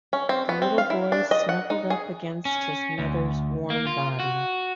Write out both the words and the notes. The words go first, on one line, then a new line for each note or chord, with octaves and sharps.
The little boy snuggled up against his mother's warm body.
C#4
C4
B3
C4
F5
E4
D4
D#5
F#5
D#4
G#4
C#4
D2
A#3
F4
F#4